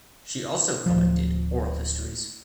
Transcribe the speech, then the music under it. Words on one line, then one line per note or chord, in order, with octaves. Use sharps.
She also collected oral histories.
D1 F3